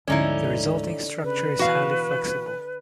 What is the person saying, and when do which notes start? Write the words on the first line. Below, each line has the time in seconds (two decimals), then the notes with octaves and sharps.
The resulting structure is highly flexible.
0.08 D2 G#2 D3 F3 C#4 D#4 E4 D5
1.24 C#3 B4
1.59 B2 E3 F#4 F5